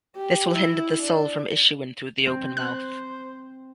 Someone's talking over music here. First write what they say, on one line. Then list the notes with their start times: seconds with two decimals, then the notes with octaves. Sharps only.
This will hinder the soul from issuing through the open mouth.
0.16 G4
0.54 E4
1.02 D4
2.27 C4
2.57 C5 F#6